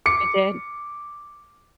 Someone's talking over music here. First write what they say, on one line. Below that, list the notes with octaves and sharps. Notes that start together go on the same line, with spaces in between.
it did
D6 C#7